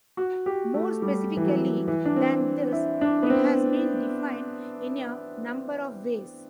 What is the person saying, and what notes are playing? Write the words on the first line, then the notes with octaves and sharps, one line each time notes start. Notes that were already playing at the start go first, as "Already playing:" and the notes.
More specifically than this, it has been defined in a number of ways.
F#4
G4
A3
G3
E3
F#3
E3
D4
C4
E4
D4
B3
C4